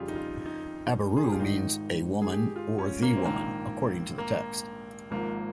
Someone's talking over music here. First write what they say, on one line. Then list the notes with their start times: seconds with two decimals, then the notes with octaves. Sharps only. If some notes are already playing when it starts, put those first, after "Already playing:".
"Aberu" means "a woman" or "the woman" according to the context.
Already playing: F2 C#3 G3 F4 G4 G#4
0.08 D#4
0.15 F4
0.46 D#4
1.17 G#4
1.25 G4
1.32 F4
1.38 G#1 G#2 D#3 D#4
2.22 G#4
2.32 G4
2.56 F4
2.78 C#4
3.02 A#3
3.17 C4
3.25 A#1 G#2 D#3 A#3
4.18 A#3
5.11 G#1 G#2 F3 A#3